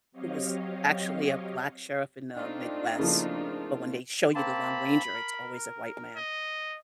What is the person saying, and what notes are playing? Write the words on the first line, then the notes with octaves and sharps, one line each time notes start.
who was actually a black sheriff in the Midwest, but when they show you the Lone Ranger, it's always a white man,
F#3 C4 G4 C#5 D#5 F5
A3 C4 D4 D#4 F4 D5 D#5 G5
C#3 F3 A#3 E4 A#4
A#3 C4 A5 B5
A#4
D#5